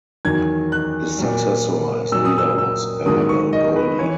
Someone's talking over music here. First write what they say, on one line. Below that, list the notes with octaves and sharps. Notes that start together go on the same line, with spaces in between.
His successor as leader was Annabel Goldie.
E2 D#3 F#3 G#6
F#6
A#2 F#3
A#2 F#3 E6
D#6
E6
E6
G#2 D#3 F#3 D#6
C#6
D#5
B4
E3 C#5